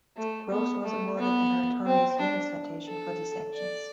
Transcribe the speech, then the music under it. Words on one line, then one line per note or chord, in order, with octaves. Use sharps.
Groves was awarded a Meritorious Unit Citation for these actions.
A3
B3
A3
B3
C4
D4
A4
D5